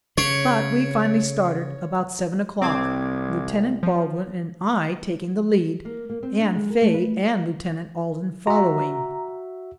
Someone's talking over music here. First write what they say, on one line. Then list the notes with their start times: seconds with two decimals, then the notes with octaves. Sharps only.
But we finally started, about seven o'clock, Lieutenant Baldwin and I taking the lead, and Faye and Lieutenant Alden following.
0.18 C#3 C#5
2.62 C2 C4 D6 G#6
3.83 F3
5.85 A#3
6.10 A#3
6.23 C4
6.40 D4
6.55 G#3
6.70 A#4
6.82 A3
6.94 B4
8.47 F#4 E5 A#5